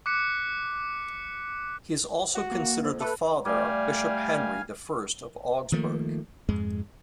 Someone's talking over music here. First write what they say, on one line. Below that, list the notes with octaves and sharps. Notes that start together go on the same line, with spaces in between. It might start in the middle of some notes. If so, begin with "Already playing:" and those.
He is also considered the father of Bishop Henry the First of Augsburg.
D6 F#6 B6 C#7
F#4
A#3
F2
A3 A4 B4
G3 A3 D5 F5 G#5 D6
D#3 F3 A3 A#3
F2 G#2 G#3